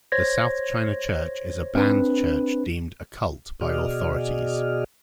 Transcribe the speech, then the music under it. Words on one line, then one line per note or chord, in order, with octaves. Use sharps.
The South China Church is a banned church deemed a "cult" by authorities.
C5 C#5 G#6 A#6
C4 D4 B4
B2 F#4 G#4 D5 D#5 F6